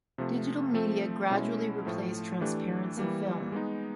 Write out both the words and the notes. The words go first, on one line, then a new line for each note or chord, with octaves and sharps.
Digital media gradually replaced transparency film.
C3 F3 A3
F3 A3 C4
B2 G#3 C#4 E4
A2 F3 A3
E3 A3 D4 G4
E3 G3 A#3
G#3 B3 D#4